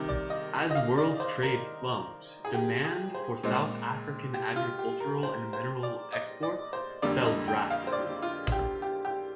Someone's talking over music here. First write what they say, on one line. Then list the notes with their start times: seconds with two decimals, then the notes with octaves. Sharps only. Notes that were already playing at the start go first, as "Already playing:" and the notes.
As world trade slumped, demand for South African agricultural and mineral exports fell drastically.
Already playing: C3 D#3 G3
0.09 D5
0.30 D#5
0.71 D#5
0.75 F5
0.98 D5
1.20 C5
1.43 A#4
2.45 G#4
2.54 G4
2.84 G#4
3.14 C5
3.44 A#2 G#3 C4
4.34 G4
4.56 F4
4.79 G4
5.00 A#4
5.23 C5
5.53 C5
5.83 D5
6.13 D#5
6.43 D5
6.73 C5
7.02 F2 D3 G3 A#3 D5
7.25 D#5
7.48 G5
7.70 F5
7.87 C5
7.92 D5
8.22 F4
8.52 G4
8.82 G4
9.05 G4